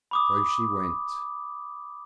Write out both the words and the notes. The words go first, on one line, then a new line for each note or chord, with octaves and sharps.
So she went.
B5 D6 D#6